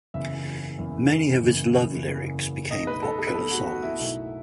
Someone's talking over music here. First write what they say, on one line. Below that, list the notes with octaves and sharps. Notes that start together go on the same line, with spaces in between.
Many of his love lyrics became popular songs.
F#1 E2 C#3 E5
F#1 E2 C#3
F#1 E2 C#3
F#1 E2 C#3
B1 B2 A3 D#4 D#5
B4
A4
A4
B4
B1 B2 A3 D#4 A4
F#4
F#4
E4
B1 B2 A3 D#4 E4